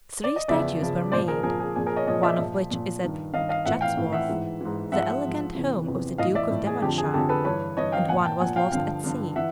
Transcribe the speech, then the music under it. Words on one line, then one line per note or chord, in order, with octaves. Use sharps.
Three statues were made, one of which is at Chatsworth, the elegant home of the Duke of Devonshire; and one was lost at sea.
D5
D#5
E2 C#3 F3 D5 E5
E2 C#3 F3
A#2 F3 C5 D5
G#4 A#4
A#2 F3 G#4 A#4
G#4
A#2 F3 G#4
G#4 A#4
C#5 D#5
A#2 F3 C#5 D#5
D5 E5
A#2 F3
A#2 F3
G2 D#3
G2 D#3 D#5 F5
D#5 F5
A2 E3 E5 F#5
F5 G5
A2 E3
E5 F#5
G#2 E3
G#2 E3
G#2 F3 E5 F#5
G#2 F3
E2 C3 E3
E2 C3 E3
A2 E3 D#5 F5
D5 E5
A2 E3
G#4
F2 D3 F3 G4
G#4
F2 D3 F3 G4 A4
A4 B4
G2 E3 B4 C#5
G2 E3 C#5 D#5
F5 G5
A#2 F3 F#5 G#5
G5 A5
A#2 F3 F#5 G#5
F5 G5
G2 D3 F3 F5 G5
G2 D3 F3
E3 E5 F#5